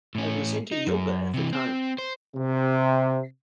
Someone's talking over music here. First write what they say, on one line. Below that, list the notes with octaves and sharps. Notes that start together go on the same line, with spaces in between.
I was into yoga at the time.
A2 C#4
D#4
F#2
C3 E3
C4
C5
C3